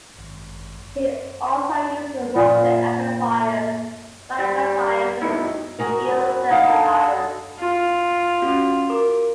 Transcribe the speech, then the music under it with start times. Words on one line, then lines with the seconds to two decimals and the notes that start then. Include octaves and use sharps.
He also uses Marshall Amplifiers, Rhino amplifiers and Engl amplifiers.
0.18 G#1
2.36 A#2 F4
4.39 G3
5.22 G2 B2 D#4 E4
5.79 F#4 G#4 A#4
6.05 F#3 B4
6.51 D4 D#4 F5 F#5
6.69 A4 G#5 A5
7.59 F4
8.42 C#4 F#4
8.90 A#4 D6